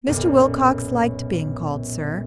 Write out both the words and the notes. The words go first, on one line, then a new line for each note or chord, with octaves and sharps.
Mr. Wilcox liked being called sir.
B1 F#2 A#2